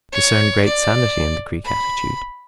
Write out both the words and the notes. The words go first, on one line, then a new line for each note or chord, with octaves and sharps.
I discern great sanity in the Greek attitude.
C#5
D5
B5